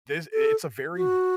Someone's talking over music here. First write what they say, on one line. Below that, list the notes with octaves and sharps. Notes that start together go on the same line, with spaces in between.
this it's a very
A4
F#4